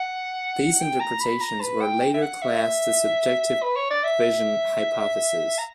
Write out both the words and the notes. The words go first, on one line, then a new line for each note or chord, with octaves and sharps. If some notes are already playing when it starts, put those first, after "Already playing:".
These interpretations were later classed the subjective vision hypothesis.
Already playing: F#5
G5
A#5
B5
A#5
B4
G5
G5
E5
F#5
E5
B4
C#5
D5
E5
A#5